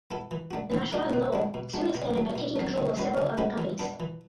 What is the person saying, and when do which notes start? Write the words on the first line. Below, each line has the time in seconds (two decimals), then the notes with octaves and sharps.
The Nashua and Lowell soon expanded by taking control of several other companies.
0.11 B3 E4 A4
0.31 E3
0.51 A3 D4 F#4
0.72 E3
0.92 A3 D4 F#4
1.13 B2
1.33 G#3 D4 F#4
1.54 B2
1.74 G#3 D4 F#4
1.95 B2
2.15 F#3 A3
2.36 B2
2.56 F#3 A3
2.76 C#3
2.97 G#3 C#4 F#4 B4
3.17 C#3
3.37 G#3 C#4 F#4 B4
3.58 E3
3.79 B3 D4
4.00 E3